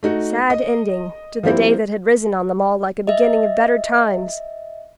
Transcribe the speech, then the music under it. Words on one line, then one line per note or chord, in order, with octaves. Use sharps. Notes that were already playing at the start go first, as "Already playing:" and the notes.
Sad ending to the day that had risen on them all like a beginning of better times!
A3 D#4 F#4
D#5
F3 G3 A#3 C4 E4
D#5 E5